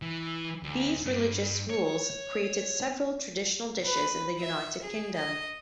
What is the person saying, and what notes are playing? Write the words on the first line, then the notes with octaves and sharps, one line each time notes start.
These religious rules created several traditional dishes in the United Kingdom.
E3
D2
G2
C#5
B4
E5
G#4
D#5